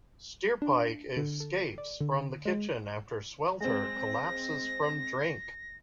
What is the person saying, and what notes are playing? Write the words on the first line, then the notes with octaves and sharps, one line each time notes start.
Steerpike escapes from the kitchen after Swelter collapses from drink.
D4
D3
A4
D5
D3
G#3
G#3 C4 A#6